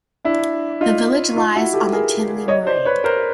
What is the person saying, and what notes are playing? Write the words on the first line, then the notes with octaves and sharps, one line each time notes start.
The village lies on the Tinley Moraine.
D4 E4
D#4 F4
D#4 F4
E4 F#4
G4 A4
G#4 A#4
C#5 D#5
C5 D5
B4 C#5
A#4 C5